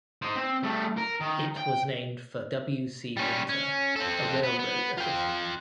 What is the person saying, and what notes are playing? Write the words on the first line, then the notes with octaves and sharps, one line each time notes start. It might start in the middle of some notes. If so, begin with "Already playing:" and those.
It was named for W. C. Winter, a railroad official.
D#4 C5
C4
G3 A3
A#4
D#3
G5
G3 C#4
C#4
C4 A4
B3
B3
F4 G5